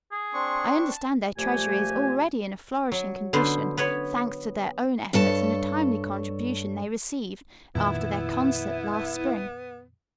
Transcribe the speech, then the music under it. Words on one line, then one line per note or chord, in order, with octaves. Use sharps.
I understand their treasury is already in a flourishing condition, thanks to their own efforts and a timely contribution they received after their concert last spring.
G#4
C4 D4 C6 C#6
A5
A#2 F3 A3 G4 G#5
F#3
D3 B3 C5
B3 B4 C#5
G2 A4 C#5 A5
F2 A#2 D#3 B3 E4